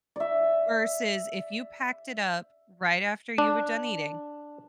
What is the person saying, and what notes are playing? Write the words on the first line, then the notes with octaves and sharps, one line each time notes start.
versus if you packed it up right after you were done eating,
D5 E5
D4